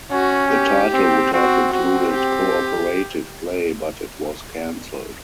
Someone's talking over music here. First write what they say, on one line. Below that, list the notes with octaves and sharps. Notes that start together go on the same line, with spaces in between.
The title would have included cooperative play but it was cancelled.
C#4 F#4
G4
C4
C4 F#4
C4 F#4
G4